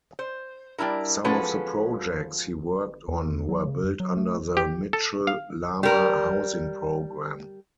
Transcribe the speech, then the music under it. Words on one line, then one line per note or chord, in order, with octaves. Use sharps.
Some of the projects he worked on were built under the Mitchell-Lama Housing Program.
C5
G3 D4 E4 A#4
F3 G#3 C#4 F#4 A4 B4
E2
F#3
C#3
F#2
F#3
A3
G4
A4
F5
G3 A#4